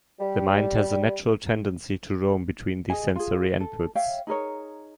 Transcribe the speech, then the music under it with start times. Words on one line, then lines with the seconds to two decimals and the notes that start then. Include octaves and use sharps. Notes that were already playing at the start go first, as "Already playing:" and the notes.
The mind has a natural tendency to roam between the sensory inputs.
0.21 G3
2.90 G#4 D#5 G#5
3.16 F4 G#4
3.60 A4
3.95 C#5 E5 F5 G5
4.27 D#4 G#4 A#4 C#5